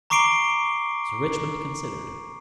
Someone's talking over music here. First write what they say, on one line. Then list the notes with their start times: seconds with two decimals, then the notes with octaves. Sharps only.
Sir Richmond considered.
0.10 A#5 C#6 D6 C7 D7 G7